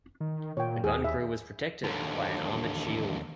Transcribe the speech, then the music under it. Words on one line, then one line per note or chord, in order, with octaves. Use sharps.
The gun crew was protected by an armoured shield.
D#3
A#2 C#5 G5
D#2 G#4
E5
D#2 D3